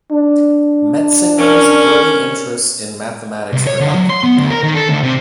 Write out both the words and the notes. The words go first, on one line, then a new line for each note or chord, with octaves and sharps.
Metzinger's early interests in mathematics are documented.
D4
C#4 A#4
C2
C#5
D3
F#3
C6
B3
D2
A#4
D#3
A4
D2
C3